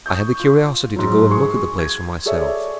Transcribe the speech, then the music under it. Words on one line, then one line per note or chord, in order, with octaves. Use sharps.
I had the curiosity to go and look at the place for myself.
C#6 D#6 G6
F4
G#2 F#3
G#4 C6 C#6
G#6
G#4 A4 C#5 D5 E5